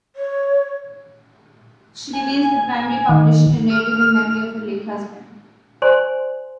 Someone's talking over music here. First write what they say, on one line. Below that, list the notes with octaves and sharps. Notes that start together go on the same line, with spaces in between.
She remains the primary publisher and editor in memory of her late husband.
C#5
G#5
D#3
F6
C5 D5 G#5 C6